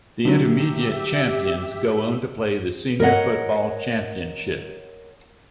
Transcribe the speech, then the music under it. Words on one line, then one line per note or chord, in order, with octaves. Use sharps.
The Intermediate champions go on to play in the Senior football Championship.
D3 F#3 G4 E5
A#4 C#5 D#5 F#5